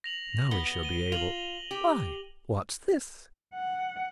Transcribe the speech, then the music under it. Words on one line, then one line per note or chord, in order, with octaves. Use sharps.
"Now we shall be able--Why, what's this?"
A#6 F7 F#7
B3 G7
D#7 G7
F4 F7 F#7
G4
F#5